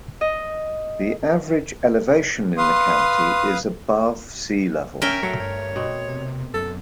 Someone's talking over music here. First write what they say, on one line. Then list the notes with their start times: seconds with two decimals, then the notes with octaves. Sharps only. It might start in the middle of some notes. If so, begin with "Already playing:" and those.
The average elevation in the county is above sea level.
0.21 D#5
2.57 B4 F5 C6 D#6
5.02 C#4 A#4 E5 G5
5.23 F#3 A3
5.40 G2 C#5
5.76 B2 C4
6.07 C3
6.54 F#2 A4